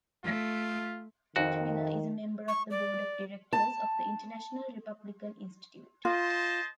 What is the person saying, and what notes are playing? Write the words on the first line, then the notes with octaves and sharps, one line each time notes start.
Tutwiler is a member of the board of directors of the International Republican Institute.
A3 F4
F2 D#3 F#4
C#6
D5
A5
F4 C5 D#5 A5